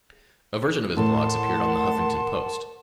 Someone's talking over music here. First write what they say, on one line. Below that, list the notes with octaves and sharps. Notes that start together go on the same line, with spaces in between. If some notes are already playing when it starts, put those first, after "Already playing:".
A version of his blogs appeared on "The Huffington Post".
A2 A#4 F#5 A5 C6